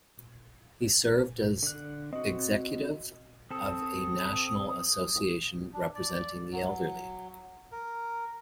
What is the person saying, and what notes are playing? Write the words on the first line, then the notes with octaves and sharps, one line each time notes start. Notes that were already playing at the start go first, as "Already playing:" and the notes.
He served as executive of a national association representing the elderly.
D3 F#6
C4 F#4 D#5
C4 A4 D#6
D4
D5
F#3
A#4